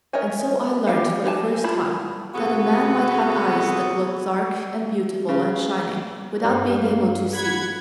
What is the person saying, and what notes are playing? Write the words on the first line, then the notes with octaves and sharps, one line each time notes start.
And so I learnt for the first time that a man might have eyes that looked dark and beautiful and shining without being able to see.
A#4 C#5 D#5 E5 G#5
F3 G4 F5 F#5
G4 B4 C5 G#5 A5
E4 F4 A5 B5
C3 B3 F#4 G#4 A4 F#5
C#3
G2 G4 D5
F5
F#5 B5 G#6